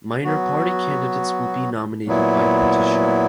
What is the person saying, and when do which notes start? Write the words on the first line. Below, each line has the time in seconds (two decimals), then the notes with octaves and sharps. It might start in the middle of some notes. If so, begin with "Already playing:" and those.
Minor party candidates will be nominated by petition.
0.24 F#3 B3 F#4
2.06 A#2 F#3 B3 E4